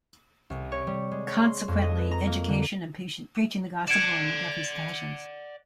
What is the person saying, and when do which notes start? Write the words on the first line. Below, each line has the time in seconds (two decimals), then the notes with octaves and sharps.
Consequently, education and preaching the Gospel were McGuffey's passions.
0.50 C2
0.72 C#5
0.87 G3
1.11 G#3
1.27 C#5
1.39 C6
1.68 F2
1.82 D#5
1.98 B4
2.11 A#5
2.27 A#3
2.48 D3
3.88 D5 F#5 G#6 D7 E7